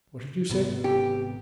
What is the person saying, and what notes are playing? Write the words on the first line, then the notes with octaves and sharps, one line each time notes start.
"What did you say?"
G#1 C3 B3
G4